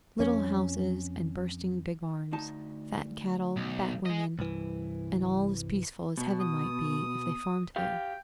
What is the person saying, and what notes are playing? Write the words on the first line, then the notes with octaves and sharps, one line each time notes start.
Little houses and bursting big barns, fat cattle, fat women, and all as peaceful as Heaven might be if they farmed there.
F2 C#4
D2 D#4 A5
B1
G#4 D#5
C2 G2 E3
B2
D#6
G4 F5 G5